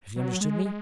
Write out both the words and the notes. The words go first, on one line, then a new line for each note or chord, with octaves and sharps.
"Have you understood me?"
F#3
G#3
G#3